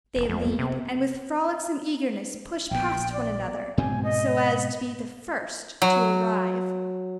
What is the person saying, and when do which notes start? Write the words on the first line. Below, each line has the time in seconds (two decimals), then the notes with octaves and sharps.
They lead, and with frolicsome eagerness push past one another, so as to be the first to arrive.
0.16 F1
0.29 F2 G#3 A3
0.42 A#3 B3
0.59 C3
2.71 A#1 B3 G5
3.13 D5
3.78 G#2 B2 C4 G#5
4.04 D#5
5.82 F#3